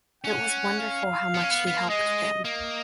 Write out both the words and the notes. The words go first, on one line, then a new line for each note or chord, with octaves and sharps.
It was wonderful how much he helped them.
C#4 F#5
F5
B3
C#4
B3
B3
A#3
G#3 D#5
A#3 D#5